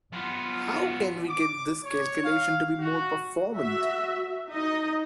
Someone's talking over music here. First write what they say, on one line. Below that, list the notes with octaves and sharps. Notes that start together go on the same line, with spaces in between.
How can we get this calculation to be more performant?
B3 F4
D6
C#5
F5
F#4
F#4 E5
D#4 D#5